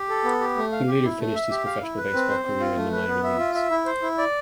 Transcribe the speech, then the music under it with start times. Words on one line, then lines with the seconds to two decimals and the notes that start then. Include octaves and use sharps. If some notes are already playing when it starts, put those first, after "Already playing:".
He later finished his professional baseball career in the minor leagues.
Already playing: G4
0.09 A4
0.24 B3
0.40 G4
0.57 A3
0.72 F5
0.88 G4
1.04 E4
1.20 A3
1.35 E5
1.51 G4
1.66 F5
1.82 E4
1.98 B4
2.13 C4
2.29 C5
2.45 C4
2.60 F4
2.76 A3
2.92 B4
3.08 B3
3.24 E5
3.39 F4
3.55 E5
3.70 E4
3.86 C5
4.02 E4
4.18 D5